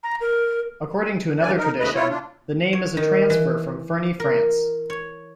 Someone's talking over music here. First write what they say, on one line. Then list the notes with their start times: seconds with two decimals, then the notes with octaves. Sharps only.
According to another tradition, the name is a transfer from Ferney, France.
0.03 A#5
0.20 A#4
1.41 D3 E3 F#3 D5 G#5
1.57 D#4 A#4
1.79 D#2 C#3 A3 B4 D#5
1.95 E4 F4 C#5
2.09 D4 F4
2.73 C#5
2.97 D#3
3.30 E3
4.20 A#4
4.90 C#5